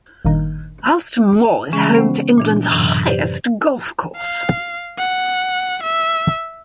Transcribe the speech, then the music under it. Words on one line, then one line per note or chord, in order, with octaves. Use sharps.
Alston Moor is home to England's highest golf course.
G1 A#2 D#3
C#3 E3 G#3 C#4 G#4
B3 C#4 C5 F#5 G5
A#2 E3 D4
F#2 A2 C3 E3 F#3
G4 B4 C5 D5
F5
F#5
E5